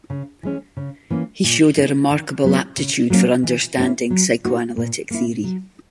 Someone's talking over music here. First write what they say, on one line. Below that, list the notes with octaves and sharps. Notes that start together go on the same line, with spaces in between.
He showed a remarkable aptitude for understanding Psychoanalytic theory.
C#3
E3 G#3 C#4
C#3
E3 A#3 C#4
A#2
G#3 B3 D#4
D#3
F#3 B3
C#3
F#3 A#3 C#4 F#4
E3
A#3 C#4 E4
F#3
A#3 D#4 F#4
A#2
A#3 E4
F#3